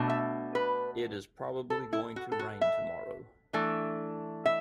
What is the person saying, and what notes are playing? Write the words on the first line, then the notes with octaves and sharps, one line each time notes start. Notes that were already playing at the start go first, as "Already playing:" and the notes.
It is probably going to rain tomorrow.
Already playing: B2 A3 D4
E5
B4
A4
E4
F#4
A4
F#4
E5
E3 A3 D4
E5